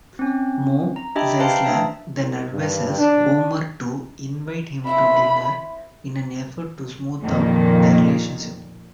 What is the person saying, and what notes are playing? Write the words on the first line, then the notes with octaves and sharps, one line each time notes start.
Moe Szyslak then advises Homer to invite him to dinner in an effort to smooth out their relationship.
C4 C#4
A#5
D4 G4 D#5 E5 G5 B5
B4 C5 F5 G5 A5 A#5
A3 D4 E5 A5
C2
G2
D4
C4 E4 E5 B5
F2 A#2 D#3 A#3